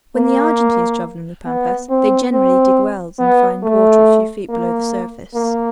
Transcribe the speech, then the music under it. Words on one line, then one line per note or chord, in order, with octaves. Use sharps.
When the Argentines travel in the Pampas they generally dig wells, and find water a few feet below the surface.
A#3
B3
C4
C4
B3
A3
A#3
A#3